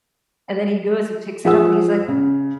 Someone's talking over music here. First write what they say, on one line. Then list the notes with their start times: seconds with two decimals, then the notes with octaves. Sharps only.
and then he goes and picks it up and he's, like,
1.45 F3 G#4 F#5 E6
2.08 C#3